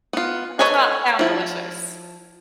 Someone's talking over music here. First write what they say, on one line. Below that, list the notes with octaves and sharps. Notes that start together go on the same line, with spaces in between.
That does not sound delicious.
B3 F4
A4 B4 C#5 D#5 G#5
F3 E4